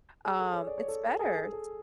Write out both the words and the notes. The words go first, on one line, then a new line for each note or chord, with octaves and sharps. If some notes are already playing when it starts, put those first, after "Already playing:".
um, it's better s
G#4
A4
C#5
D5
C#5
A4
A4
G#4
A4
G#4
A4